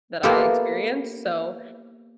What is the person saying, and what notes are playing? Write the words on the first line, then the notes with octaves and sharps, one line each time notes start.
that I experienced. So,
A#3 B3 E4 F4 G4 A4